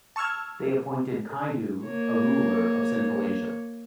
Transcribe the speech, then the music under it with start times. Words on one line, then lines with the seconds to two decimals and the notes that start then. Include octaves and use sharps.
They appointed Kaidu a ruler of Central Asia.
0.16 A5 C#6 E6 F6 G#6
1.83 A#3 C#5